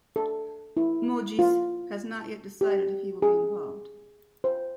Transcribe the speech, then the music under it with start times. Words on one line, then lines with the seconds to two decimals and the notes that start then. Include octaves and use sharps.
Mogis has not yet decided if he will be involved.
0.16 A4
0.77 E4
1.39 F4
2.61 G4
3.22 G#4
4.44 C5